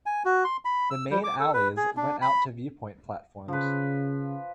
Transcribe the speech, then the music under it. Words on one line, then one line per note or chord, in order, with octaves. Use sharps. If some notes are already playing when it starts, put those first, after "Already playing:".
The main alleys went out to viewpoint platforms.
G#5
F#4
C6
B5
E6
G3
D6
A4
B4
G#4
D4
B5
C#3 F3 B4